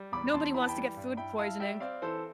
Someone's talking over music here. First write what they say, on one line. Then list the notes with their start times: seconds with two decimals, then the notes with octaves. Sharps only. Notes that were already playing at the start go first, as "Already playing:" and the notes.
Nobody wants to get food poisoning.
Already playing: G3
0.12 E2 B5 D6
0.33 E2 A5 C6
0.54 E3 B5
0.62 A5
0.69 G5 B5
0.75 G3
0.97 G2
1.17 E4 G5 B5
1.39 E4 F5 A5
1.59 G3 E5 G5
1.80 C4 D5 F5
2.02 E3 A4 C5